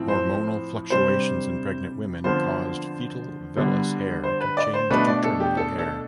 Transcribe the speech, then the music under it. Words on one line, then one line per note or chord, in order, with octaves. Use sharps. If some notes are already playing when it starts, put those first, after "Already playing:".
Hormonal fluctuations in pregnant women cause foetal vellus hair to change to terminal hair.
Already playing: A2 F3 C4 E4
C5
C3 G3 D4 C5
D3 F3 B3 F4 C5
D3 G3 B3
C5
B4
D5
C5
B2 A3 D4 B4
D5
A4
G4
A4
A4